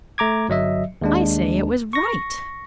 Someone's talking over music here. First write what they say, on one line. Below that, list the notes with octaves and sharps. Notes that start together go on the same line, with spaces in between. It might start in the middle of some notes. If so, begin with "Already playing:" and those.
'I say it was right.
A3 A#5 D6 G#6
G1 F#3 D#5 E5
D#2 G#3 D4
C#6 A#6